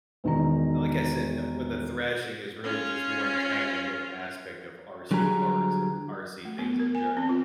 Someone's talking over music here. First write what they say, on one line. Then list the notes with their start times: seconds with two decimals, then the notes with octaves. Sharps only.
like I said, the with the thrashing is really just one tiny little aspect of RC cars or RC things in general.
0.24 E1 D#3 A#5
2.64 C#4 F4
5.11 D3 F#3 G3 F#4 G#4 A#5
6.45 A3
6.59 B3
6.79 A#4
6.95 G#5
7.17 C4
7.29 F4